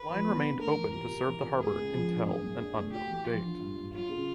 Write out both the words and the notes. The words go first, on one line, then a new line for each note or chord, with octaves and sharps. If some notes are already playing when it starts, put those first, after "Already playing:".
The line remained open to serve the harbour until an unknown date.
Already playing: B4
F3
B3
D3
A3 A#4
E3
C3 A#4
C3
E3
C3
C#2 G#4
C#2
F3
D3
F#2 G#4
F#2
D4
A3
F#4 G4
E3
F3 F4
D3
G2
G2
F#3 F4
C#3